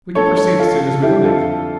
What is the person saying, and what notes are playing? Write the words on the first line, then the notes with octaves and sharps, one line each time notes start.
We can proceed as soon as we like.
G2 F3 A4 C#5
A4 C#5
F4 A4
F2 D3 G3 E4 G4
F4 A4